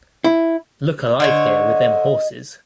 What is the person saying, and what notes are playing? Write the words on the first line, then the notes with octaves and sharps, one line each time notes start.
Look alive here with them horses!
E4
D3 C5 C#5 D#5